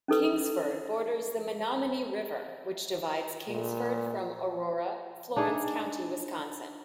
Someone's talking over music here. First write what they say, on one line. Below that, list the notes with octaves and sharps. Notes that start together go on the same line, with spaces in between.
Kingsford borders the Menominee River which divides Kingsford from Aurora, Florence County, Wisconsin.
C#4 D#4 A4 B4
A#2
D4 D#4 G#4